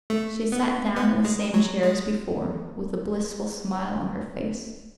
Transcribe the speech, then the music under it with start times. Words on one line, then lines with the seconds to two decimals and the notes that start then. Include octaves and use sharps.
She sat down in the same chair as before, with a blissful smile on her face.
0.10 A3
0.52 B3
0.96 B3
1.25 G#3
1.54 F#3
1.83 G#3